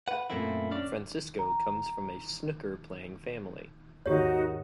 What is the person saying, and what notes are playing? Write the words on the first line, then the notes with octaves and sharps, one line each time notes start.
Francisco comes from a snooker-playing family.
B4 F#5
F#2 A#2 A3 A#3 C4 E4
C#4 D4 D5
A#5
D#2 G#2 D#3 D#4 F#4 G4 C#5